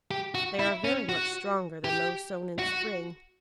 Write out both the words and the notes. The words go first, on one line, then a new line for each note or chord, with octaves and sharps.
They are very much stronger than those sown in spring.
G4
F#4
E4
C#4
F#4
G4
F#4